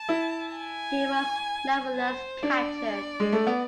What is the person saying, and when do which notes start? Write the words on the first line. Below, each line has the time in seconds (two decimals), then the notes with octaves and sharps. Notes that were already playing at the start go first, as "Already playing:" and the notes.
He was nevertheless captured.
Already playing: A5
0.09 E4
0.55 G#5
1.96 C5
2.43 D4 D5
3.20 G#3
3.32 A3
3.47 B3